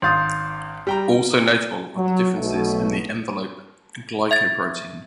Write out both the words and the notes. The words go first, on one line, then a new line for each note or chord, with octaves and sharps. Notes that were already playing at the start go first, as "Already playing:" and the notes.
Also notable are the differences in the envelope glycoprotein.
G#1 F5 C6 D#6 G6 A6
G3 G5 A#5
F#3
B1 B2 A3
E5 G#6 A6